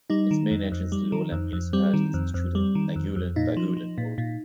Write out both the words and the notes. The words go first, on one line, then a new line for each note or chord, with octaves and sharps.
Its main entrance to lowland municipalities is through the Naguilian-Bagulin Road.
G3 D#4
D#3
F2
F2
G3
D#3
F2
F2
G3 C4
D#3
F2
F2
G3
D#3
F2
F2
A#2 D#4
F3
F3
A#2
A#2